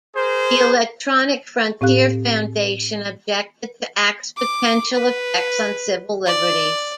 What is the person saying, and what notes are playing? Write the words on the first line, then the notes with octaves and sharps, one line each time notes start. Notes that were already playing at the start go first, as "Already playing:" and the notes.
The Electronic Frontier Foundation objected to Act's potential effects on civil liberties.
G#4 A#4 C5
A2 C4 G4 F5 F#6
D6
B4
D5